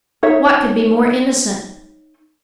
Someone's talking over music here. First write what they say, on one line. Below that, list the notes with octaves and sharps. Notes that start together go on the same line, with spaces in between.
What could be more innocent?
D#4 C#5 E5